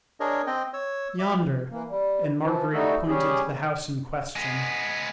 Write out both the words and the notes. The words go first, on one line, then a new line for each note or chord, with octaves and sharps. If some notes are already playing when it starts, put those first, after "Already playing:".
"Yonder," and Marguerite pointed to the house in question.
D4 G#4 A#4 C#5 D#5
C4 D#5 G5
C#5 E6
E5 D6
E3 A#3
G3
E3 F3
G3 A3 D#4 F#4 A4
G3 C#4 G4 G#4
G#3 B3